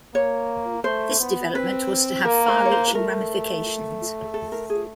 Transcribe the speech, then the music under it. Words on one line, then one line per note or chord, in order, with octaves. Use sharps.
This development was to have far-reaching ramifications.
A#3 C#5
A3 C5
B3
C4 B4
A#3 A#4
C5
C#5
C5
B4
A3 A#4
A4
A#4
G#4